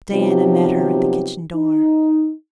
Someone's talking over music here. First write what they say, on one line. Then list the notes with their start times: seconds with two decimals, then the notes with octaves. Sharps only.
Diana met her at the kitchen door.
0.12 C3 F3 F#3 B3 D#4 G4
1.55 D#4